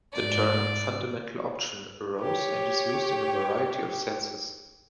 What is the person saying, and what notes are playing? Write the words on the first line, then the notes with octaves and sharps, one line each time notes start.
The term "fundamental option" arose and is used in a variety of senses.
G#2 D5
G4 C#5